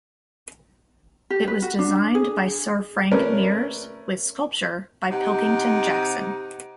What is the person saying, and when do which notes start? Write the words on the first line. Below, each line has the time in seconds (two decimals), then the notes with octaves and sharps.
It was designed by Sir Frank Mears with sculpture by Pilkington Jackson.
1.30 G4
1.48 B4
1.62 F#4
1.79 D4
2.15 G#4
3.11 A3 C#4 A#4 B4 D5
5.11 C3 D#4 G4 F#5